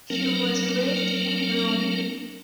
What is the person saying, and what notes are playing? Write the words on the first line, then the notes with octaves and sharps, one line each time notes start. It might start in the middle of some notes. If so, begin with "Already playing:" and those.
She was raised in Rome.
F#3 A#3 C4 D4 A#4